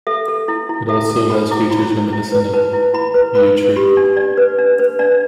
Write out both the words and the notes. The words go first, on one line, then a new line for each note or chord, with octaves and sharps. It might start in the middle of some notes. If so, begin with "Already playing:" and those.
It also has features reminiscent of Euchre.
A4 E5
A4
E4
E4
A4 E5
A4
A4 B5
E4 D6
E4 B5
E4
E4
B4
B4 A5
E4
E4 B5
B4
B4 B5
B4
G4 B5
D4
D4 D5
B4
D4
B4
D4 D5